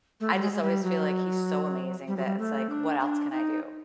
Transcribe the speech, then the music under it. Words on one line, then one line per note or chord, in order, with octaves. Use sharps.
I just always feel like he's so amazing that it's, like, what else can I do?
A3
G3
G#3
G#3
G3
F#3
G3
F#3
G3
A3
D4
D4
D#4